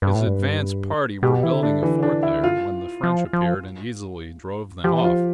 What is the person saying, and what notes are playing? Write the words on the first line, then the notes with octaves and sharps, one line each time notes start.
His advance party were building a fort there, when the French appeared and easily drove them off.
G2 B4
A2
G2
B2 G4
E3 E4
D3
D4
E3
D4
E4
F4
F3
F3
F3 G4
E3
F3 F4